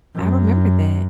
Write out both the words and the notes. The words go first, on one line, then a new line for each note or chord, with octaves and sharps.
I remember that.
F#2